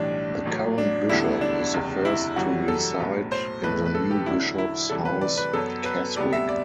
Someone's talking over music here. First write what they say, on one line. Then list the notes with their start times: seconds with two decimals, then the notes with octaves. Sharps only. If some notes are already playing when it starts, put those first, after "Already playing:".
The current bishop is the first to reside in the new Bishop's House, Keswick.
Already playing: B1 A2 E3 G3 D4
0.45 A1 A2 F#3
0.78 D4
1.09 E1 D2 D3 G3 B3 E4
1.41 D4
1.73 F#1 E2 C3
2.05 E4
2.36 F#1 F#2 E3 G3 F#4
2.68 A4
3.00 B1 A2 F#3 B3
3.32 C5
3.63 B1 A2 E3 A3 B4
3.86 B4
3.95 A4
4.11 G4
4.26 E2 D3 F#3 E4
4.58 E4
4.90 D2 C3 E3 G3 A4
5.05 B4
5.21 D5
5.37 B4
5.53 F#2 F#3 B3 A4
5.85 B4
6.16 D2 C3 G3 B3 D5
6.33 E5
6.49 D5